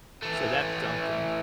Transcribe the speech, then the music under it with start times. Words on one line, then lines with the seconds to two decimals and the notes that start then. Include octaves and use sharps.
So that's something.
0.22 E3 A3